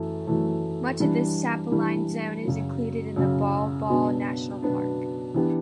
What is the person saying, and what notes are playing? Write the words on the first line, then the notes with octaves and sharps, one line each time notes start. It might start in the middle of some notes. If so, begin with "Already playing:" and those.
Much of this subalpine zone is included in the Baw Baw National Park.
Already playing: F#2 E3 A3
F#2 E3 A3
E3 G3 D4
E3 G3 D4
F#2 C#3 F#3
F#2 C#3 F#3
B2 F#3 B3 D4
B2 F#3 B3 D4
E3 B3 D4 G4